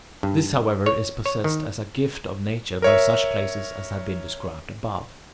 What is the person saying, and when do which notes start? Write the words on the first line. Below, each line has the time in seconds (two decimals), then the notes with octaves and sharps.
This, however, is possessed as a gift of nature by such places as have been described above.
0.23 G2
0.86 C#5
1.26 C#5
1.44 D#3
2.82 A#4 C#5 E5